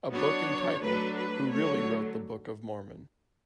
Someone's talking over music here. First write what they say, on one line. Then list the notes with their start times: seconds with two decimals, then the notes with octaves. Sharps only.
A book entitled Who Really Wrote the Book of Mormon?
0.12 F#3 B3 D4 C#5
0.83 F#3 A3 D4 B4
1.18 B4
1.53 D3 F#3 A3 C#5